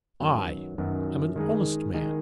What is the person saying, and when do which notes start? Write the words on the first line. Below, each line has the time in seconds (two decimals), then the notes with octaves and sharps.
I am an honest man.
0.20 F#2 D#3 F#3 B3
0.78 F#2 D#3 F#3 B3
1.36 D#3 G#3 D#4 G#4
1.94 D#3 G#3 D#4 G#4